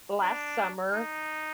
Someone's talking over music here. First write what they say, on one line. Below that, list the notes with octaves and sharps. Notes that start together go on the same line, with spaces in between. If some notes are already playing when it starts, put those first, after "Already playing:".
last summer
D4
D#4